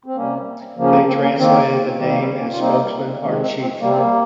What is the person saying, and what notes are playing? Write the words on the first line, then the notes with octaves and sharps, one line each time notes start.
They translated the name as "Spokesman" or "Chief".
C4
C3 G3 A#3 C#4
C#3 F3 A#3 C#4
C4
C4
A#3 C#4
D#3 A#3 C4
D#3 G3 A#3
A#3
C4
A#3 C#4
F4
C3 G3 A#3 C4 D#4
C3 D#3 G#3 A#3 C#4
C4
C4
C3 G3 A#3
C4
A#3